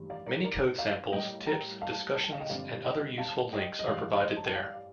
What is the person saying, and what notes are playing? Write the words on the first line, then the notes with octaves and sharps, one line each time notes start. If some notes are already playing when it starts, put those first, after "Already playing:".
Many code samples, tips, discussions and other useful links are provided there.
Already playing: A1 G2 D#3
D5 F5
A#4 D5
A#4 D5
D5 F5
A2 G3 A#3 D#5 G5
G5 A#5
F5 A5
A5
G5
F5
D#5 G5
G2 D3 F3 C4 D5 F5
D#5 G5
F5 A5
D#5 G5
D#5
A1 G2 F3 D5 F5
C5 D#5
A5
G5
D5 F5